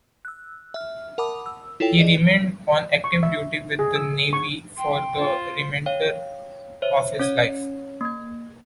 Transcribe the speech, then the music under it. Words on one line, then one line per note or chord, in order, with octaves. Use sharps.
He remained on active duty with the Navy for the remainder of his life.
E6 F#6
E5 F6
A#4 F#5 A5 B5 D6 D#6
E6
E4 F4 A4 C#5 G5
G#4 D5 D#5
C#6
E5
G#4
E6
C#6
G5 C6
F4 C5
C#5 F5 G5
C5 C#5 E5
C#4 C#5 G#6
A#3 G#6